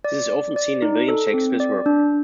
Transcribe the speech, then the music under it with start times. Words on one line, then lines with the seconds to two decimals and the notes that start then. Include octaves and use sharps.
This is often seen in William Shakespeare's work.
0.04 D5
0.30 D5
0.56 D5
0.82 D#4
1.08 A4
1.34 C4
1.60 D5
1.86 D4